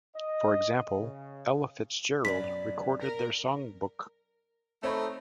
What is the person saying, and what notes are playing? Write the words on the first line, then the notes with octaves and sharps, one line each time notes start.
For example, Ella Fitzgerald recorded their songbook.
D#5
C#3
F#2 B2 F#3 D5 B6
A#4
A3 C4 D#4 C#5 B5